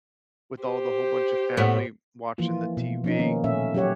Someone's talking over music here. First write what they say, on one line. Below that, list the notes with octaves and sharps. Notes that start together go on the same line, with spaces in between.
with all the whole bunch of family watching the TV.
G4 C5
A2 B3
E3 F3 A#3 F4
B2
F3 C#4 D#4
D#3 A#3 B3 C#4
A#2 A3 C#4 E5
F#3 C#4 G4 C#5 F#5